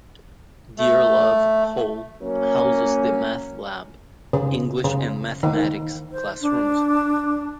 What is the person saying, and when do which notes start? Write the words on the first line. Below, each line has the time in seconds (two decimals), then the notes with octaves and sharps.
Dearlove Hall houses the math lab, English and mathematics classrooms.
0.78 A3
2.22 F#3 A#3 C#4
4.33 C#3
4.84 C#3
5.43 D#3
6.12 C5
6.42 D4